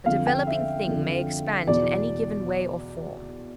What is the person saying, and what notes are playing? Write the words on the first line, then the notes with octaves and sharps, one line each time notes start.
A developing thing may expand in any given way or form.
F2 D3 F5
G5
E5
F2 D3
E2 B2 D5